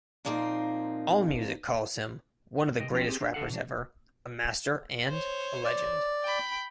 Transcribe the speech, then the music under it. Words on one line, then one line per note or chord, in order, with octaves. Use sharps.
Allmusic calls him "one of the greatest rappers ever", "a master", and "a legend".
A#2 F3 A#3 C4 D#4
C3 D#5 G5
F3 C4 C#4 F4 G5
C4 G4 G#4
D4
D3 A4 F5 F#5
B2 E3 D4
C5 C#5
D5
G5 B5